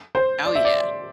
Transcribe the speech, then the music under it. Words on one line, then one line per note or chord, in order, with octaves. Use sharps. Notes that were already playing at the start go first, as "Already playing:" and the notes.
Oh yeah.
C5
D5
E5
D5